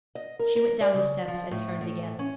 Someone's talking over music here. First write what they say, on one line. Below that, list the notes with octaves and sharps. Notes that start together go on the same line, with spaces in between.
She went down the steps and turned again.
D#5
A#4
A#4
D5
C#3
F3
A2
A2
C#4